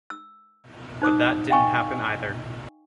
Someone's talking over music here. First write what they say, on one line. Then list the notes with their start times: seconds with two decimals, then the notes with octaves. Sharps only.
But that didn't happen either.
0.10 E6
1.02 D#4 C5 D6 D#6
1.50 D#5 F5 G5 G#5 C#6